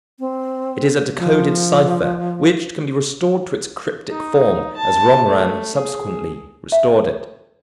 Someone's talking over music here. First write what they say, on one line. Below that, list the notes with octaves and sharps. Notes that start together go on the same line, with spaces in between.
It is a decoded cipher, which can be restored to its cryptic form as Romarin subsequently restored it.
C4
F3
D#4
A5
A3
G#4
E5